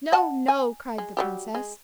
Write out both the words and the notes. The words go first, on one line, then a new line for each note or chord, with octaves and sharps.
"No, no," cried the princess.
D#5 F#5 A5
G#5
G#3
F#3 G3 G4
G#3